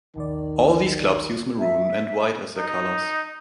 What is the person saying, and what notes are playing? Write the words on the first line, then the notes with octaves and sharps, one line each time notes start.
All these clubs use maroon and white as their colours.
A#1 D#2 D#3 D5
E5
D#4